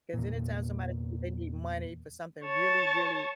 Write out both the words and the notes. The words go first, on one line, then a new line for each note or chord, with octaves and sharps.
'Cause anytime somebody say they need money for something really, really
E2 A#2
C#5 A5